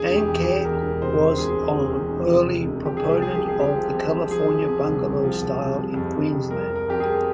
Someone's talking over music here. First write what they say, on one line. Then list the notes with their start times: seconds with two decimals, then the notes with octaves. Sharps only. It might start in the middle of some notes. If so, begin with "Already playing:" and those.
Haenke was an early proponent of the California bungalow style in Queensland.
Already playing: E1 G#4
0.10 E1
0.16 G4
0.28 E2
0.40 G4
0.47 E2
0.65 E2 A#4
0.83 E1
1.02 C3 C5
1.20 E1
1.38 E1 G#4
1.56 E1
1.75 E1
1.93 E2
2.11 E1
2.30 C3
2.48 C3
2.67 E1
2.85 F3 G4
2.97 G#4
3.03 C2
3.10 G4
3.22 F3 G#4
3.35 C3 G4
3.49 G#4
3.58 C4 G4
3.76 F3
3.95 C4
4.12 C4
4.31 F3 G#4
4.50 F3
4.68 C4
4.86 C2
5.05 C2
5.23 F3
5.41 C2
5.59 C3
5.78 G3
5.96 F2
6.15 F2
6.33 C3
6.51 G3 A#4
6.69 F2
6.76 A#4
6.88 F2 G4
7.00 G#4
7.06 G3